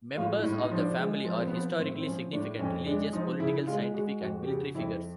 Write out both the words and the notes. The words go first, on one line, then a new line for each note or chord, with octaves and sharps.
Members of the family are historically significant religious, political, scientific, and military figures.
A2 F4
E4
A2
D#4
F3
D4
G#3
F3
C4
B3
F3 C4
A2 C4
C4
F3 C#4
A2 D4
F2 C#4
G#3 D4
F3 D#4
C#3 E4
G#3 F4
G#3 F#4
F2 F#4
G4
C#3 F#4
F2 E4